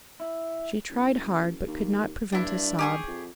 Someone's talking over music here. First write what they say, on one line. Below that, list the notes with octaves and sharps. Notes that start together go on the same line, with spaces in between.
She tried hard, but could not prevent a sob.
E4
F#1
D#2
G2 D4 E4
G4 G#4 C#6
F2